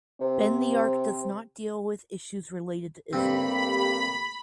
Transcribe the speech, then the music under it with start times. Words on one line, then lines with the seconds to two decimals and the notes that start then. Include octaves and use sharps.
Bend the Arc does not deal with issues related to Israel.
0.21 C3 C4
3.13 G2 A3 A#3 C4 G4 B5